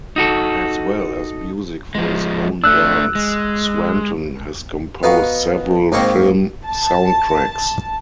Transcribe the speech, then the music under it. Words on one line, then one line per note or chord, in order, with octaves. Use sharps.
As well as music for his own bands, Swanton has composed several film soundtracks.
D#4 F#4 A4
F3 G#3
A3 D4 E6 F#6
G#3
B3 D#4 F#4 F5
G#2 D#3 A#3 C4 C#6
A5